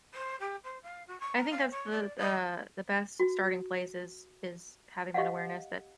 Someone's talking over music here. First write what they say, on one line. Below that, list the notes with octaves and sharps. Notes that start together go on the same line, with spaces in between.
I think that's the the the best starting place is is having that awareness that,
C5
G4
C5
F5
F#4
C#6
A#5
F5
C#5
D5
D#5
F#4
G4 D#5 F5 F#5